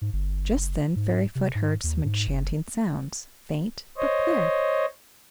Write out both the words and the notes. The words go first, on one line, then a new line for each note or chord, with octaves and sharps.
Just then Fairyfoot heard some enchanting sounds, faint, but clear.
G#2
G1
F#1
G#2
C3
G#2
D#2
G#2
F#1
C5 C#5 D#5